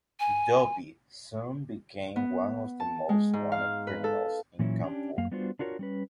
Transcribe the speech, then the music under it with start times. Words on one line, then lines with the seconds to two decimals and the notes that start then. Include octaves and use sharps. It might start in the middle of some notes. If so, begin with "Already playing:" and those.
Dubey soon became one of the most wanted criminals in Kanpur.
0.20 G#5
2.16 B3
2.80 A5
3.09 G#3
3.33 G#2
3.52 F5
3.87 B4
4.04 A4
4.59 A#2 E3 F#3 C#4 E4
4.84 C#4 D4 G4
5.18 F#2 A#3 F5
5.32 G3 B3 D4 F4 F#4 C5
5.59 D4 F4 F#4 A#4 C5 C#5
5.79 G3 C#4 B4